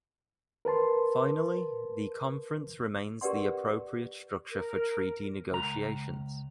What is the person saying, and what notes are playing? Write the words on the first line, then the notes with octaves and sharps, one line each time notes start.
Finally, the Conference remains the appropriate structure for treaty negotiations.
A#4 B4 A5 C6
G4 A#4 B4 D5 F#5 C6
A#4
C#2 A#5